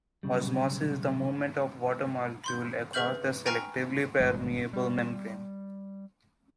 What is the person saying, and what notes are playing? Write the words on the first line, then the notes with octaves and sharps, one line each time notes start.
Osmosis is the movement of water molecules across a selectively permeable membrane.
B1 G2 C#3 G3
B5 C6 G6
G#4 B4 E5 F6 G6 F#7
G5 G#5 A#5 C#6 F6
G#1 G2 G#3
G3